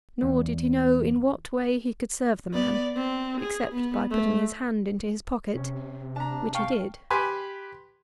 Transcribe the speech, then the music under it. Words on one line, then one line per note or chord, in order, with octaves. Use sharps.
Nor did he know in what way he could serve the man, except by putting his hand into his pocket,--which he did.
E2
B3 D5
C4
G#4
B3
A3
C3 C#4
D4 A5 A#5
F5 G5 A5 C#6
G4 B4 G#5 B5 C6